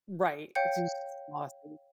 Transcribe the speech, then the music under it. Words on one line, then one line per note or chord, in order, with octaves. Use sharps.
Right, I jus exhausting.
C#5 F5 G5 G6 C#7